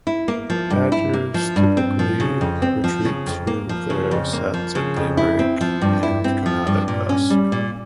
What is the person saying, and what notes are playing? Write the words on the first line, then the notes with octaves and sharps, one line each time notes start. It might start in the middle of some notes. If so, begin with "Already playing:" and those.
Badgers typically retreat to their setts at daybreak and come out at dusk.
E4
A#3
F3
G2
E4
A#3
F3
G2
C4
F3
C#3
F2
C4
F3
C#3
F2
A#3
F3
C#3
F2
A#3
F3
C#3
F2
E4
C4
F3
G2
E4
C4
F3
G2
A#2
C#4
G3
A#2